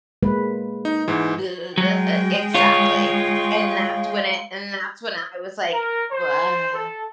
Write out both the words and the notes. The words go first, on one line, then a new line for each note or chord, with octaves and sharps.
E exactly. And that's when it and that's when I was, like, "Bleh."
G#3 A#3 B4
D#4
G#2 E3
F#3 G#3 G5
F4 C#5
A#4
C5
A4